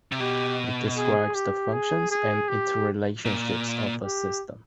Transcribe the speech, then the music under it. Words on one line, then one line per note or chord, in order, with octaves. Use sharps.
It describes the functions and interrelationships of a system.
C3
B2 G4
G#4
G4
G#4
G#4
G4
A#2
G4